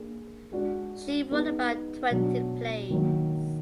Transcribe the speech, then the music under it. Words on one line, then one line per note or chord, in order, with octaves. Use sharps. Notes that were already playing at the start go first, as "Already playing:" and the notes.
She wrote about twenty plays.
Already playing: A#3 D4 G#4
G#3 D4 F#4 D5
B3 D#4 G#4 B4
B2 F#3 D4
D#3 F#3 A#3